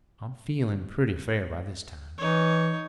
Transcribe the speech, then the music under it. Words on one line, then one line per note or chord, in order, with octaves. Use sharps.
"I'm feeling pretty fair by this time."
E3 D#4 C#5